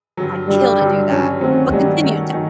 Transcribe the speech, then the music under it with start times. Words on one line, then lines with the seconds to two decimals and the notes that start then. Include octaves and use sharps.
I'd kill to do that. But continue, ta
0.17 G2 D3 F#3
0.49 G2 D3 F#3 G3
0.79 G2 D3 F#3
1.09 G2 D3 F#3 C#4
1.40 D#3 F#3 A3 C4 C#4 F#4
1.72 D#3 F#3 G3 A3 C#4 F#4
2.02 D#3 F#3 A3 C#4 F#4
2.33 D#3 F#3